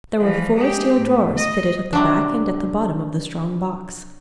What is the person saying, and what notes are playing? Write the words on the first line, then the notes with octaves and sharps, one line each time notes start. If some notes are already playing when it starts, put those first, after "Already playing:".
There were four steel drawers fitted at the back and at the bottom of the strong box.
E3 F3
G#3 G4
A2
D#5
C3 F#3 D4